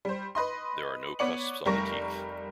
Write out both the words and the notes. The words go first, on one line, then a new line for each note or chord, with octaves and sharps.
There are no cusps on the teeth.
G3 C5
B4 D#5 C6
B3 C#5 D5 C#7 F#7
F1 G3 A#4 C#6 A#6